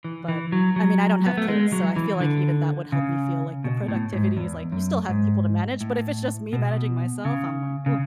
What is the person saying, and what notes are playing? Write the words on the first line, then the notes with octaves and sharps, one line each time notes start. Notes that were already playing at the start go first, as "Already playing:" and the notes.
but I mean, I don't have kids, so I feel like even that would help me feel like the productivity is like you still have people to manage, but if it's just me managing myself, I'm like, "Ooh,
E3
E3
F#3
F#3
B3
A3
G#3
F#3
E3
D3
C#3
B2
A2
G#2
E2
F#2
G#2
A2
B2
C#3
C#3